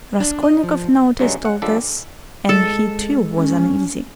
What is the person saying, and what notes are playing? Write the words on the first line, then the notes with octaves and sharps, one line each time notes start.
Raskolnikov noticed all this, and he too was uneasy.
D4
D#5
F3
G2 C#3 F#3 G#3
F#5
F3 G3 G#3 D4 A4
G#3 A4
C#4